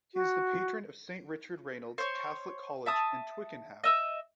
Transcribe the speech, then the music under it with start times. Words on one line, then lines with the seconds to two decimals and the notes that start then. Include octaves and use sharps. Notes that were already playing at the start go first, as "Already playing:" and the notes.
He is the patron of Saint Richard Reynolds Catholic College in Twickenham.
0.14 F#4
1.98 C5 C#5
2.86 E5 A5 D#6
3.84 D#5 E5 E6